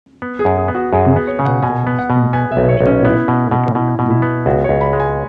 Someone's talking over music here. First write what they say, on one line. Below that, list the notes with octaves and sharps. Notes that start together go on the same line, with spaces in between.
Boost mobile is themed orange and black or dark blue.
B3
G#4
F#2
G#4
B3
F#4
F#2 G#4
G#4
B3
C#5
C#3
F#5
B2 G#5
B3
F#5
B2
B3 G#5
E5
B1
C#5
B1
C#4
B3 E4
B2
B2
B2 E4
B2
E4
B3
C#2 F#4
C#5
C#2
B5
G#3
G#5